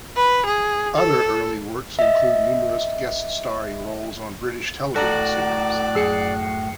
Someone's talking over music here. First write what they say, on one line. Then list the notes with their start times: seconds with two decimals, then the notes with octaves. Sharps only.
Other early works include numerous guest-starring roles on British television series.
0.17 B4
0.46 G#4
0.97 A4
1.99 D#5 E5
4.96 A2 F#4 A4 D5 A#5
5.95 F#2 G#4 E6 C7 C#7